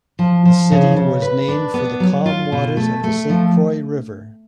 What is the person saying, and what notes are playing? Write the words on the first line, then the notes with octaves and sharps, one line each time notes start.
The city was named for the calm waters of the Saint Croix River.
F3
F3
C#3
C#3
B4
D4
B3
F#3
F4
B2
A3
A3
F3